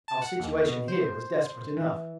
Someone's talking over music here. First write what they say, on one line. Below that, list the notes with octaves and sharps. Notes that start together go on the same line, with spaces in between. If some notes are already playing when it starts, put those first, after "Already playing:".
Our situation here was desperate enough.
A5
F#5
D#2
B2
C5
E3